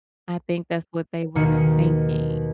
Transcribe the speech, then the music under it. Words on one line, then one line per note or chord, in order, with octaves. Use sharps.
I think that's what they were thinking.
D#2 B2 D#3 C#7